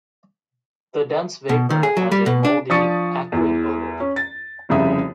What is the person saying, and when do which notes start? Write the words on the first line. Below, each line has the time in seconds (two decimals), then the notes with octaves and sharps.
The dense vapor has a mouldy, acrid odour.
1.49 B2
1.70 D#3
1.83 G#4
1.97 F#3
2.12 G3
2.26 B2
2.45 D4
2.70 F3 D4 C#6 D#6 A6 C#7
3.32 E2 E3
4.00 C#4
4.16 A6
4.69 F1 C2 C#3 E5 D#6